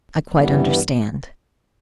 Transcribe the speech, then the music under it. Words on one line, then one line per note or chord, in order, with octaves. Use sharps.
"I quite understand."
G2 E3 G3 B3